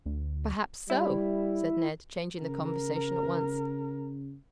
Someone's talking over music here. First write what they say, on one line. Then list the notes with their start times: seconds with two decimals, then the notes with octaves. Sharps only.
"Perhaps so," said Ned, changing the conversation at once.
0.06 D2
0.90 G3 E4
2.41 C#3 A#4